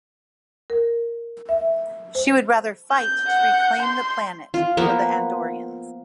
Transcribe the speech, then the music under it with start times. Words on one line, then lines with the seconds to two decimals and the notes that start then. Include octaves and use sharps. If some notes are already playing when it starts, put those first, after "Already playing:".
She would rather fight to reclaim the planet for the Andorians.
0.70 A#4
1.49 E5
2.15 C5
2.91 G6
3.27 F#5
3.82 C6
4.54 F4
4.77 F3 A#3 B3